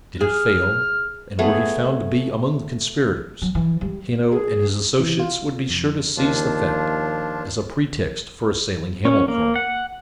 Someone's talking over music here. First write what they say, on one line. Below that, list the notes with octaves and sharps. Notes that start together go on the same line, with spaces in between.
Did it fail, and were he found to be among the conspirators, Hanno and his associates would be sure to seize the fact as a pretext for assailing Hamilcar.
G#4 F6
A3 B3 G#4 A4
F#3
E3
G3
G#4
E3
F4
F2
D#2 F3 D4 F4
C#4
A#3
F#5